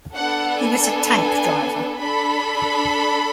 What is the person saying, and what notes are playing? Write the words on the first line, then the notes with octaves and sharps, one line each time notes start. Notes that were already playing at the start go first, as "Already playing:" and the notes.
He was a tank driver.
B3 D4 A4 F#5
G#5
D4 A4 B5